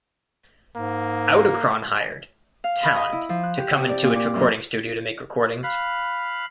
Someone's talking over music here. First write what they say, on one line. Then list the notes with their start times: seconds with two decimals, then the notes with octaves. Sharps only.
Audichron hired "talent" to come into its recording studio to make recordings.
0.76 G#2 A#3
2.64 F5
2.83 B5
2.96 D#5
3.13 E4
3.29 F3
3.44 F#6
3.57 G4
3.77 C3
3.89 D5
4.03 A#2
4.16 D6
4.35 F#2
5.63 F5 B5 F#6